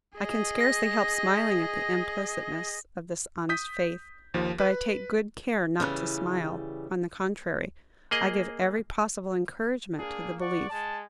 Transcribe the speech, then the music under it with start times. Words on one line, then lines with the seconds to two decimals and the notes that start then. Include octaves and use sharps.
I can scarcely help smiling at the implicitness of this honest faith; but I take good care not to smile; on the contrary, I give every possible encouragement to the belief.
0.17 G#4 D#5
0.61 A#6
3.49 D#6 G6 B6
4.34 D#2 F3
4.60 B4
5.80 C#3 E3 G3
8.11 A#3 G#4 D#5
9.98 A#3 D4 G#4
10.39 D5 F#5 C#6
10.70 G#3 A5